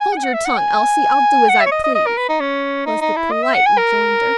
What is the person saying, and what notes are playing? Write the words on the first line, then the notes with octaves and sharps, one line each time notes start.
"Hold your tongue, Elsie; I'll do as I please," was the polite rejoinder.
G#5
F#5
G#5
F#5
E5
F#5
G#5
F#5
E5
C#5
D#5
D#5
D#5
A#4
B4
D#4
C#4
D#4
D#4
E4
D#5
E5
F#5
G#5
A#4